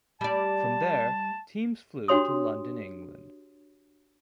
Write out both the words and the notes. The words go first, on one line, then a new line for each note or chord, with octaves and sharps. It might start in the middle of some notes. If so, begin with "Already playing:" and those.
From there, teams flew to London, England.
G3 D5 A5
D4 F#4 G4 C#5 C6 D#6